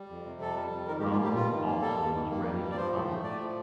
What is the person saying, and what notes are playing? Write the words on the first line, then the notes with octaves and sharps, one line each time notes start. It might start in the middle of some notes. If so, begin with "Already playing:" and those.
Groen also was ready to publish.
Already playing: G3
F2
C3
F2 A4
G3
F2
D#3 A#4
G4
A#3
F4
G3 G4
G2 F4
D#3
A#3
G3 A4
G2
D#3
A#3
G3
G2
D5
F3 C5
A2
A3
A2 D5
F3